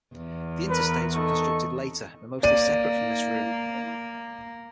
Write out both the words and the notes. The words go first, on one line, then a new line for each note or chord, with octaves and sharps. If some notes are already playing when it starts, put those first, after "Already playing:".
The Interstates were constructed later and are mostly separate from this route.
E2
A#4 B4
D#4 A4 C#6
A#3 D5 D#7